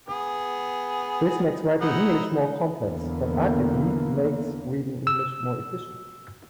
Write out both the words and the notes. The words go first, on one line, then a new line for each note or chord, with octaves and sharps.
This makes writing English more complex, but arguably makes reading English more efficient.
B3 G#4
D#4 E4 F#5
E2 D3 E3 A#3 B3
E6